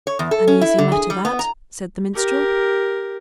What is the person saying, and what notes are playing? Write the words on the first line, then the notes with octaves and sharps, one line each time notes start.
"An easy matter that," said the minstrel.
C#5
E2
A4
C#4
E4
D3
G#4
G3
B3
A#5
G4 A#4